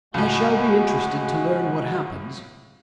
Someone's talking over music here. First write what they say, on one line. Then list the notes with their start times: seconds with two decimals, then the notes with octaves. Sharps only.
"I shall be interested to learn what happens."
0.14 C#2 A2 G#3 F#4